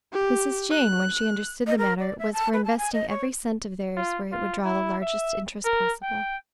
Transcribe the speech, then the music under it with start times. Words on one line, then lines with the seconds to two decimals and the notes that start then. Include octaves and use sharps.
Mrs. Jane, when she understood the matter, was for investing every cent of theirs where it would draw the largest interest possible.
0.12 G4
0.71 F#6
1.67 D#5
1.78 A#4
1.99 D5
2.19 E5
2.33 A5
2.53 B4
2.65 A5
2.77 G#5
2.93 D#5
3.09 C#5
3.97 F4
4.32 F4
4.65 E4
5.02 E5
5.65 A#4
6.03 G5